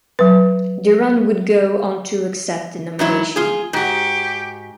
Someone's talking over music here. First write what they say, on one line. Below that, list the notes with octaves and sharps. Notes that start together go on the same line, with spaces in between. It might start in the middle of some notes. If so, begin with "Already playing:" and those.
Durand would go on to accept the nomination.
F#3 B4
G#2 F#3 E4
F4 G#4
G#2 F#4 G4